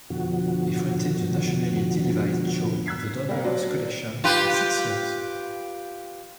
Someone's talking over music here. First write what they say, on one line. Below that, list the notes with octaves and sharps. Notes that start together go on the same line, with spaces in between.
He fronted the nationally televised show "The Don Burrows Collection" for six years.
F2 B2 D3 F3 F#4
E6 F#6 G#6 B6 C7
G3 A#3
F#3 D4
F4 G4 B4